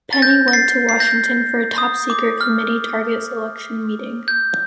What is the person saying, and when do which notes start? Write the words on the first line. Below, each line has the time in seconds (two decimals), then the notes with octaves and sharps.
Penney went to Washington for a top secret committee target selection meeting.
0.13 A6
0.22 G6 A#6
0.48 A#6
0.53 A6 C7
0.89 C7
1.00 G6 A#6
1.78 D#6
2.10 D6
2.41 F6
4.28 G6